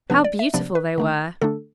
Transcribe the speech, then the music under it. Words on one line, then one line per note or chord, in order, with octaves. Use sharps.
How beautiful they were!
C3 F3 B3 D4 B4
D5
E5
C3 F3 B3 D4 D5
B4
D3 A3 D4
D3 A3 D4 A4